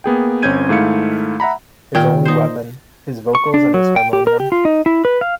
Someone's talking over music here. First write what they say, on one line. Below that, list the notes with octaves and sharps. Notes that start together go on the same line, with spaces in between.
His only weapon: his vocals and his harmonium.
A#3 B3 G#4 G5
G1 C4 C#4 G6 G#6 D#7
G#2 D#3 A3 E4 F5 C#7
E5 F#5 A#5 B5
A#2 D#3 G5
D#4 C5
C#6
D4
F#3
G5
G4
A#4
G4
F4
D#4
E4
B4
F5